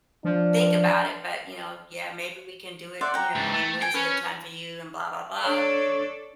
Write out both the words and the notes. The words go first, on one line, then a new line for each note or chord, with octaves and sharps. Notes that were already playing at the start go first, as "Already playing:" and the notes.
think about it, but, you know, yeah, maybe we can do it, you know, and when's a good time for you?" and blah, blah, blah,
F3 D4
C5 D5 E5 F#5
G5 A#5
G#2 C#3 A5
A3 A5
G5 G#5
C#4 B4 G#5
D4 A4 C#5